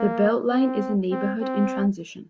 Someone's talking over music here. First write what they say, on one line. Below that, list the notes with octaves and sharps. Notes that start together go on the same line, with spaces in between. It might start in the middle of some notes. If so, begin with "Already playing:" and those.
The Beltline is a neighbourhood in transition.
Already playing: A#3
C4
C4
C4